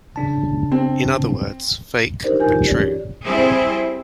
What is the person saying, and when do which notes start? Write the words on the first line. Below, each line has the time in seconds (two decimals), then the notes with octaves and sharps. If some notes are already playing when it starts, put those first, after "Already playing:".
In other words, fake but true.
0.16 C#3 D4 A5
0.72 C4
2.24 D4 D#4 G4 A#4 C5 D5
2.40 E3 D#4 F4 A#4 G#5 G6
2.56 G4
2.67 E3 C#4 G4 C#5 D5
2.82 G4 G#4
3.25 G3 C4 E4 G#4